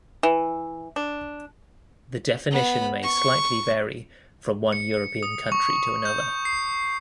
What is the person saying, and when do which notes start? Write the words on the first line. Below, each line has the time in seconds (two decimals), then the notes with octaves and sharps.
The definition may slightly vary from one European country to another.
0.23 E3
0.96 D4
2.51 B3 B5
3.02 C#6
4.72 C#7
5.23 D#6
5.52 C#6
6.05 G6
6.45 C7